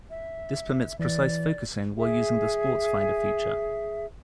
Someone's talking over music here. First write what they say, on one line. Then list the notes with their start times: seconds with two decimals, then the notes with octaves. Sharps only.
This permits precise focusing while using the sports finder feature.
0.10 E5
0.99 E3 D5
1.97 G#4 E5